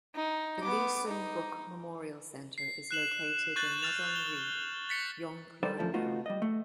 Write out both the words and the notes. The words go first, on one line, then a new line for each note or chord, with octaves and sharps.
The Lee Seung-bok Memorial Center is located in Nodong-ri, Yongpyeong-myeon.
D#4
B3 D6
D#4
C7
F#6 E7 F#7
C#6 F#6 G6 A6 F#7
F6 A6 F7
G7
A6 B6 C#7
G3 D#4 A4 B4 C5 D5
F#2 F3 A3 A4
A3 B3 D#4 F4 F#4
G3 D#5
A3